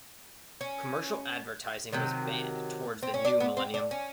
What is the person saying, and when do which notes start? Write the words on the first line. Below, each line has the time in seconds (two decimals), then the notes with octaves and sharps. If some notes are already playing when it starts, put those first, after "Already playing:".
Commercial advertising was banned towards the new millennium.
0.61 C#4
1.93 C3 D#3 F#3
3.03 C4
3.14 C#4
3.25 D4
3.40 B3
3.57 C4
3.74 D4
3.91 C#4